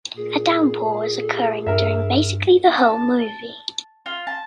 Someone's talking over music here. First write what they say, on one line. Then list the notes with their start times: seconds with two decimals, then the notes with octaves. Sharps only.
A downpour is occurring during basically the whole movie.
0.17 A#2 G#4
1.67 G2 A#4 E5
2.78 A5
4.06 F4
4.27 A5